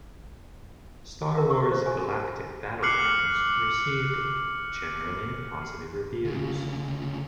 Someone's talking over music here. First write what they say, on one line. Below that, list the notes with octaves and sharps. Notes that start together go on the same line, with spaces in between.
"Star Wars: Galactic Battlegrounds" received generally positive reviews.
A#4
C#6
C5
G#5
D6 F6 F#6 C7 C#7 F#7
D2 C#3